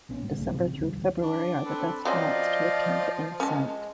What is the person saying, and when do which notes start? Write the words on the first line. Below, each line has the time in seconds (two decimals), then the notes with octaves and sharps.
December through February are the best months to attempt an ascent.
0.09 A#1 B3 C#4
0.22 G#2 G#3
0.37 B1 C#3 A3
0.53 A#1 A2 F3 C4
0.67 C#3
0.80 D2 G2 E3
1.22 D4
1.65 C4 A4 B4
2.05 F3 F#3 C4 C#4 D5 D#5 F5
3.40 G#3 C#4 A5